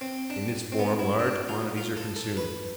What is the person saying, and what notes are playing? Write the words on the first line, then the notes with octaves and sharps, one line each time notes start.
In this form large quantities are consumed.
C4
D4
C4
B3
E4
D4
F4
F4
A4
A4
B4